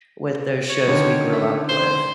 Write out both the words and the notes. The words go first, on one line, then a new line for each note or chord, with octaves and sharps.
with those shows we grew up with,
C#5
D3 D#3 C#4
A3
C5